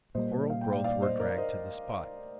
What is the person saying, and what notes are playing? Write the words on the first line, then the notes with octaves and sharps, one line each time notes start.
Coral growth were dragged to the spot.
A#2 G3 A#3 C5 D#5
F5
G5
D5 F5
D5 F5
C5 D#5
A#4 D5
C5 D#5